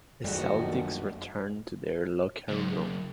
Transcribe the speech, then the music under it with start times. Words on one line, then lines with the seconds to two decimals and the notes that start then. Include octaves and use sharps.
The Celtics returned to their locker room.
0.24 A#1 F#2 D#3 G3 A3 F#4
2.49 F#2 C#3